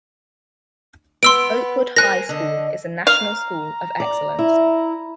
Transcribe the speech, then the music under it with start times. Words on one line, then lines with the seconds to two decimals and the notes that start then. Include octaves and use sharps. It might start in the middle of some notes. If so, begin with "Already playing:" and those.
Oakwood High School is a national school of excellence.
1.23 B3 C6 E6 D7
1.96 A#4 C5 G#5 F#6 A#6
2.29 D3 D#5 A5
3.07 F5 A#5
4.00 D5
4.39 E4